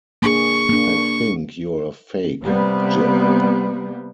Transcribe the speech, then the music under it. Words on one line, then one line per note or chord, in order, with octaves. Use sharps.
I think you’re a fake, Jip.
A#3 D4 G#4 C#6
A#3 D4
C3 G3 A#3 B3